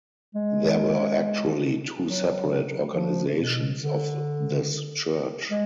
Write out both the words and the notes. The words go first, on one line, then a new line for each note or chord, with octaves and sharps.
There were actually two separate organizations of this church.
G#3
F#3
F3
B2
D3
G#3